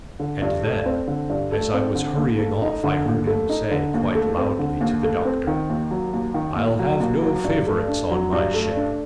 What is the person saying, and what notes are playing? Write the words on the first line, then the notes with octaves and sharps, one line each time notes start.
And then as I was hurrying off I heard him say, quite loudly, to the doctor, "I'll have no favourites on my ship."
D3
G2
A3
C4
D3
G2
A3
C4
D3
D#2
A3
D#4
D3
D#2
A3
D#4
D3
D#2
A3
C4
D3
D#2
A3
C4
D#3
D#2
F#3
D#2
D#3
D#2
F#3
D#2
F#3
G2
A3
D4
F#3
G2
A3
D4